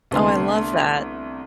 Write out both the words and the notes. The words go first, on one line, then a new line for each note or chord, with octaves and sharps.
Oh, I love that.
C2 D3 A3 B3 C6